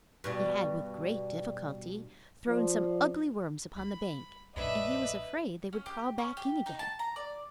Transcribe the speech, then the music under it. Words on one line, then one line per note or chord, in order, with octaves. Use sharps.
He had, with great difficulty, thrown some ugly worms upon the bank and he was afraid they would crawl back in again.
G2 B2 G3
F3 F4 D5
G3 B3 B5
A#1 F#2 D4 B4 D#5 E5 B5
C#4
G4
C#4
G4
D#4
A5
A#5
D5